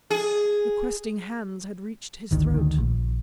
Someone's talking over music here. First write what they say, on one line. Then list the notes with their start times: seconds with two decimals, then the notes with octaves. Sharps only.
The questing hands had reached his throat!
0.10 G#4
2.31 G#1 D2 D#3
2.54 D2 D#3
2.78 A#1